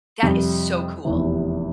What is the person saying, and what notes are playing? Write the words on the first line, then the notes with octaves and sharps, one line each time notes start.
That is so cool.
F2 C3 G3
F1 E2 C3 E3